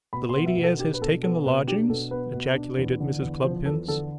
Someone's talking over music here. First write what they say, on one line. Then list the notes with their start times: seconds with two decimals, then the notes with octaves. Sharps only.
The lady as has taken the lodgings!' ejaculated Mrs. Cluppins.
0.13 B2 B5
0.29 C6
0.36 B3
0.46 E5
0.57 B2
0.63 A4
0.79 D4 G4
0.94 B4
1.01 B2 A4
1.23 B3 A4
1.46 B2 B4
1.68 D4 G4
1.89 B2 A4
2.11 B3 B4
2.33 B2
2.55 D4
2.78 E2
3.00 D3
3.22 E2
3.43 F3 C5
3.66 E2 A4
3.88 D3 A4